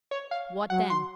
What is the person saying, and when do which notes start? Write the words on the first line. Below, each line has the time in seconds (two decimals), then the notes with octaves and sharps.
"What then?"
0.11 C#5
0.31 F5
0.70 F#3 F#5
0.90 C6